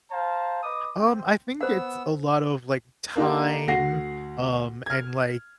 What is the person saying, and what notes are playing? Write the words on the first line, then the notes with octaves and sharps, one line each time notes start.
Um, I think it's a lot of, like, time, um, and, like,
C5 F5 A5 A#5
B4 D#5 D6 D#6
C4
B3 C5 F#5 E6
A#3 D4 D#4 G4
D2 F#4 F#5 A#6 C7
F6 G#6